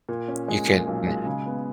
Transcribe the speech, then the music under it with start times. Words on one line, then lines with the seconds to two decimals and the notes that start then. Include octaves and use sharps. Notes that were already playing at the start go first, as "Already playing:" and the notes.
You can n
0.09 A#2
0.28 C#4
0.48 G#3
0.67 A#2
0.87 B1
1.07 G#3
1.26 C#3
1.46 B3